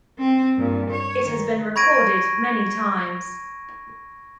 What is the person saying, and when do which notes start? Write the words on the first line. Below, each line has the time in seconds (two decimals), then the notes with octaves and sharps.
It has been recorded many times.
0.18 C4
0.56 G2 A#2
0.90 C#5
1.23 D#3
1.76 B5 C#6 G#6 A#6 D7 D#7